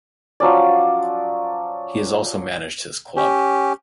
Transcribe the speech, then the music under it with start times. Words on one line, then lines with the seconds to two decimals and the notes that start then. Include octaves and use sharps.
He has also managed his club.
0.40 F3 F#3 C#4 D5
3.17 C#4 G4